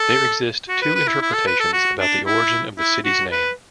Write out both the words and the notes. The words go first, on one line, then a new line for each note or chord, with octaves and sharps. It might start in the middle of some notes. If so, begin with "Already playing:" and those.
There exist two interpretations about the origin of the city's name.
Already playing: A4
F#4
B4
B4
E4
E4
A4
B4
A4
F#4
D4
E4
E4
F#4
B4